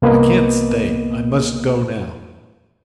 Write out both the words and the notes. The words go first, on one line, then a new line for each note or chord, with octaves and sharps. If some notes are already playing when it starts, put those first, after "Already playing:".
"I can't stay, I must go now...."
C2 A#3 B3 B4 D#5